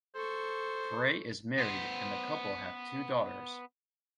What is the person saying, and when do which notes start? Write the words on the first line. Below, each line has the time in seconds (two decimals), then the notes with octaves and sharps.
Frye is married and the couple have two daughters.
0.15 A4 C5 C#6
1.58 B3 C5